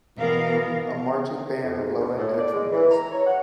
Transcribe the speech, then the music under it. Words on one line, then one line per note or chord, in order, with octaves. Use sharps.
A marching band blowing their trumpets.
B2 E3 B3 A#4 F5
F2
G#2
D2
A2
D5
G#3
E3
A#5
C#5
F#5